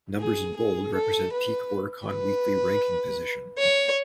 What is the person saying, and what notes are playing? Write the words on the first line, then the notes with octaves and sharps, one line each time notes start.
Numbers in bold represent peak Oricon Weekly Ranking position.
G#4
G#4
A4
B4
B4
C#5